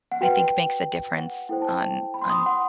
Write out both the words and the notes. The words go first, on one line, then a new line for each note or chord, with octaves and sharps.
I think, makes a difference on on
F#5
F#4 B4 G5
F#5
E4 A4 C5 G5
A5
G5
B5
C6
D#6
C6
F#5